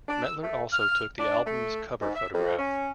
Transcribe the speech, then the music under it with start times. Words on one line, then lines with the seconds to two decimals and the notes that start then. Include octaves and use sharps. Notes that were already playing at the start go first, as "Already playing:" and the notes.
Mettler also took the album's cover photograph.
0.08 D4
0.23 E6
0.42 A3
0.72 F6
1.18 D4
1.46 A3
2.00 G#2
2.14 E5
2.33 F2
2.58 C#4